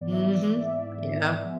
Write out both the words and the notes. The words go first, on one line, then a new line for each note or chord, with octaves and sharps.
Mhm, yep.
G#2 E3 B3 D5
E5
D5
E5
D5
E5
D5
F3 G#3 B3 E5